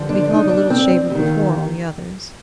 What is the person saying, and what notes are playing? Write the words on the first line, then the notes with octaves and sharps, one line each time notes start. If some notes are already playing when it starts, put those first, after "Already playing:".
To be called "a little shaver" before all the others!
Already playing: G2 D3 F3
D4
D#4
D4
C4
D#2 D#3